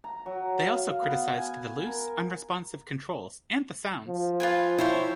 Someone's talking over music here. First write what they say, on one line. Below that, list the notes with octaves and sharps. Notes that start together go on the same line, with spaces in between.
They also criticized the loose, unresponsive controls and the sounds.
A#5
F#3
F5
F5
B3
G#5
A#4
F3
F4 B4 G#5
E4 C5 C#5 G5